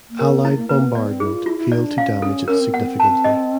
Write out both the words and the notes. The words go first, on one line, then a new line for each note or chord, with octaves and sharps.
Allied bombardment failed to damage it significantly.
A#3
A#4
B3
A#3 E4
A#3
A#3 B4
B3
B3 D5
C4
E4 G#4
F4
E4 F4
E4
D#4 D5
D4
C#4 F5
C#4 A4
C#4 A#4
C4
B3 F#5
C4
A5
D#5